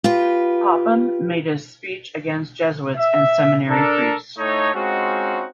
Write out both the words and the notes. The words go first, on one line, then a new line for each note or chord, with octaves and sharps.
Popham made a speech against Jesuits and seminary priests.
F4 G4 B4
E5
D4 A4 A#4
A2 A3 D#4 C#5
G#3 C4 C#4 D#4 F4 F#4